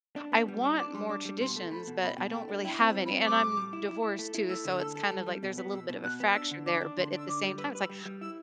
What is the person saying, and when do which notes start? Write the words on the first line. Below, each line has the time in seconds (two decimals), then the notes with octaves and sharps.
I want more traditions, but I don't really have any, and I'm divorced too, so it's kind of like there's a little bit of a fracture there, but at the same time, it's like,
0.16 D4
0.32 B3
0.48 G3
0.64 D4
0.79 D4 D6
0.94 G3 C6
1.09 D4 D6
1.25 G3
1.41 B2 C6
1.56 A3
1.71 A3 B5
1.87 B2
2.02 B2 B5
2.18 B2
2.33 A3 G5
2.49 D4
2.64 E4 G5
2.80 C4
2.85 A5
2.95 G3
3.05 B5
3.11 C4
3.25 G3 D6
3.41 A2
3.57 G3
3.73 E4
3.88 E4
4.03 E4
4.19 A3
4.35 E4
4.50 A3 E6
4.65 D3
4.80 A4
4.95 A4
5.11 G3
5.26 G3
5.43 B2
5.58 B3
5.73 B2 E6
5.89 B2
6.04 B2 F#6
6.20 B3
6.35 D4 E6
6.51 D3
6.66 D4 D6
6.81 D4
6.97 D3 C6
7.12 D4
7.18 E6
7.28 D3 D6
7.44 G3
7.58 B4 E6
7.75 B4 E6
7.89 G3
8.00 E6
8.06 G3
8.21 E4 E6